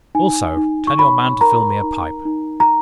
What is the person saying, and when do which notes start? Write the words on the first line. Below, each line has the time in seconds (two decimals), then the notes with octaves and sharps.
Also, tell your man to fill me a pipe.
0.15 D#4 G#5
0.57 D#4
0.87 C#6
0.99 C#5 B5
1.41 A#4 A#5
1.83 D#4
2.25 D#4
2.60 A#5